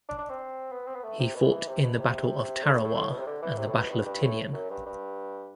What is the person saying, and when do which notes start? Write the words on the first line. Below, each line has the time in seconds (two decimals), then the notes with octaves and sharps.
He fought in the Battle of Tarawa and the Battle of Tinian.
0.08 D4
0.19 D4
0.29 C4
0.72 B3
0.87 C4
0.95 B3
1.04 A3
1.19 C3
1.35 B2
1.51 E3
1.68 C3
1.83 B2
1.99 C3
2.63 D3
2.73 A2
2.84 A2
2.95 A2
3.11 B2
3.19 C3
3.26 D3
3.42 E3
3.58 C3
3.68 A2
3.75 B2
3.91 G2
4.06 G2
4.22 A2
4.53 F#2
4.70 G2
4.86 G2